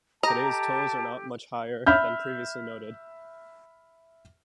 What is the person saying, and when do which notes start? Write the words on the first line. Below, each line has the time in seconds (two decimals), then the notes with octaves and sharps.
Today's tolls are not much higher than previously noted.
0.23 G4 A4 D#5 A5 A#5
1.86 E5 B5 F6 G6